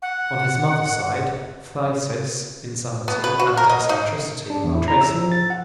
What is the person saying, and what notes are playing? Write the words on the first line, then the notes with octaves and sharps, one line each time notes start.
On his mother's side, phthisis, insanity, and eccentricity are traceable.
F#5
B3
B4
F#4
A#4
D#5
D#4
D4
E2
E4
A#5
E6
F3
A6
F#5